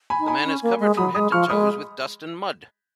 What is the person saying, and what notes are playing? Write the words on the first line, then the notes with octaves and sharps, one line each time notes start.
The man is covered from head to toes with dust and mud.
G#5 B5
D#4
G#5 B5
C#4
A#3
G#3
F#3 B5 D#6
G#3 B5 D#6
F3 C#6 F6
G#3 B5 D#6